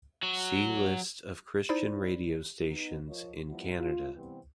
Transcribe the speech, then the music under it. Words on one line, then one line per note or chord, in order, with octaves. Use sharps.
See List of Christian radio stations in Canada.
F#3 F#4
D#4 E4 C5 D5 B5
B3 D#4
F3 F4 A#4 C#5 D#5
F3 G3 B3 E4 F#4
F4
C3 E3 G3 B3 C4